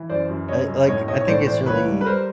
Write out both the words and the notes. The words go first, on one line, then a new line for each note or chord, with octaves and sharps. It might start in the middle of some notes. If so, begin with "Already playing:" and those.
I, like I think it's really
Already playing: E3
F#2 C5 D5
F#2
C#3 C#5 D#5
F#2
A2 C#5 D#5
B1 C#5 D#5
C#5
A2 C5 D5
E3 C5 D5
C#2 B4 C#5
G3
B4
G3 A#4 C5